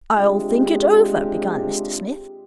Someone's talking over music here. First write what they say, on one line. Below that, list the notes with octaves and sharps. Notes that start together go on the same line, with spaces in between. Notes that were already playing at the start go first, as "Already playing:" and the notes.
'I'll think it over--' began Mr Smith.
C3 G#3 D4 F4 G4